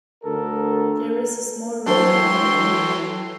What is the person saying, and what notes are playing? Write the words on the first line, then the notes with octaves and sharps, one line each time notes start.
There is a small river and a mountain.
D2 A4 A#4
E3 F#3 D4 A4 C5 C#5 G5 C6